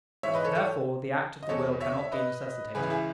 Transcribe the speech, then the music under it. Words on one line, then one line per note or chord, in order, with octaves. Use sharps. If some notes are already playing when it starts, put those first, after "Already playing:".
Therefore the act of the will cannot be necessitated.
G#2 E3 C#5 E5
B4 D#5
A4 C#5
A4 C#5
D#5
E2 B2 A4 C#5
C#5 E5
B4 D#5
C#2 C#3 E3 G#4 B4
E4 G#4